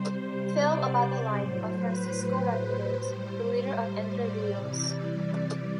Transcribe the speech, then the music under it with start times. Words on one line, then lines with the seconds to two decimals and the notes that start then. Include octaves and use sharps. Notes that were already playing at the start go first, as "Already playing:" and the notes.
Film about the life of Francisco Ramírez, the leader of Entre Ríos.
Already playing: C3 G3 C5
0.57 D5
0.97 D5
1.36 A2 F#3 C5
1.76 B4
2.16 C5
2.95 A2 G3
3.74 C5
4.14 D5
4.54 C3 E3 G3